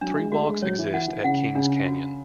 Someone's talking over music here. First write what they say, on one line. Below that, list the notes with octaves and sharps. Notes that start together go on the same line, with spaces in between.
Three walks exist at Kings Canyon.
F#3 D4
G#3
A3 F#4
G#3
F#3 C#5
E3
E3 F#5
E3
C#3 F#5
C#3 D4
F#4